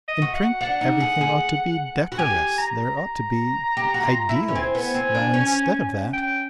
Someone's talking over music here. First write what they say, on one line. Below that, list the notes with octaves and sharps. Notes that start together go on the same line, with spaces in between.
In print everything ought to be decorous; there ought to be ideals, while instead of that....
D#5
F#4
F#5
D4 F#5
D#4
G#4
G#4
F#4
G4 G#5
A#5
A#5
G4
F#4
F4
E4
C#4
C4 G#5
B3
C4
D4
C#4
G5